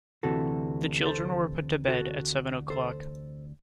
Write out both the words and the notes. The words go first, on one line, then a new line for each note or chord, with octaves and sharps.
The children were put to bed at seven o’clock.
D2 C3 E3 F#4 A4
A4 C5
F#4 A4
A4 C5